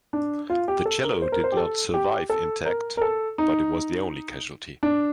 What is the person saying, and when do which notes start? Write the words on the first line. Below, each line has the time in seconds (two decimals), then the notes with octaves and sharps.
The cello did not survive intact, but it was the only casualty.
0.13 D4
0.50 F4
0.68 G4
0.85 A4
1.04 A#4
1.22 C5
1.32 A#4
1.44 C5
1.52 G4
1.57 A4
1.94 G4
2.29 A4
2.65 A#4
2.97 A#4
3.01 A4
3.38 D#4
4.83 D4